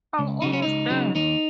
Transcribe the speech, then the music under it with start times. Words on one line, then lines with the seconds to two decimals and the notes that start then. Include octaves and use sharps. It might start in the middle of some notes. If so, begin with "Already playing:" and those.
I'm almost there.
0.19 C#2
0.42 C#3 F#3 D#4
0.53 C#4
0.62 C#2 D#4
0.90 C#3 F#3
1.15 D#2 D#4